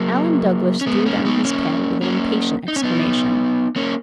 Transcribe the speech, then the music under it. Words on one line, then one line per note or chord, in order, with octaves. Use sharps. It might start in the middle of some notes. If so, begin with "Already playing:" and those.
Alan Douglas threw down his pen with an impatient exclamation.
Already playing: F#3 A#3
C#4
G#3 B3
A#3 C#4
B3 D#4
A#3 C#4
A#3 C#4
D#4
C#4
B3 D#4
A#3 C#4